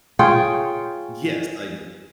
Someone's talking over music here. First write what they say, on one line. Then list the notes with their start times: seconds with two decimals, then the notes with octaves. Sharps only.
Yes, I do.
0.19 F4 G#4 C#5 G5